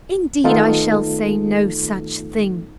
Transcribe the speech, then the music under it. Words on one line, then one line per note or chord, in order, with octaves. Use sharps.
"Indeed I shall say no such thing."
D#3 A3 B3 D#4 F4 A4